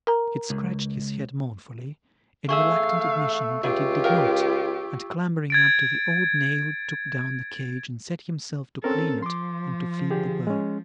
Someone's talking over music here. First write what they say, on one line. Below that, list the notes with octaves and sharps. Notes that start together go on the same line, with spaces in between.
Kit scratched his head mournfully, in reluctant admission that it did not, and clambering up to the old nail took down the cage and set himself to clean it and to feed the bird.
A#4 A#5
C#2
E2 A3 G#4 E5 F5 C#6 E6
C#2 A3 F4 G4
A#4 F5 G5
G#6 A6 D7
C4 C#4 A4 A#4
F3 C6 D6
D3 G4 G#4
G#3 C#4